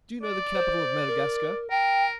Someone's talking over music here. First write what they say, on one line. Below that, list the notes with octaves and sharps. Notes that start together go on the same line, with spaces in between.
Do you know the capital of Madagascar?'
D5
C5
A#4
A#4 G5